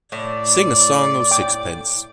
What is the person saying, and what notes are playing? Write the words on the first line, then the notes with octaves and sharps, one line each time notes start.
Sing a song o' sixpence!
A2 D5
G5 D6